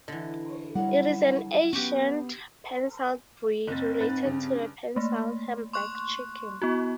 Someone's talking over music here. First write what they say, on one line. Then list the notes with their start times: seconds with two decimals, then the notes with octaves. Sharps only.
It is an ancient pencilled breed, related to the pencilled Hamburg chicken.
0.08 D3 E3 D#5
0.75 F#3 G3 E4 F5 F#5
1.73 B3 C#4 F#4 G4
3.68 F#1 C4 A6
4.00 G#2 B4 A6
4.25 G2 C#3
4.96 A3 A#3
5.73 C6 C#6 F#6
6.62 B3 E4 F#4